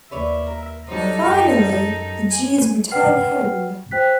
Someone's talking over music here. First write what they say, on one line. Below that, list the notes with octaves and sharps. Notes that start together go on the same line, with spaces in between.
Finally, the Jews return home.
D#2 B4 C#5 D5 E5
A#4
F#3 G3 D4 D#4 A4 C5 A#5
F#2 G4
G#5
B4 F#5 G5 F6 C7
C5 G5 F#6 B6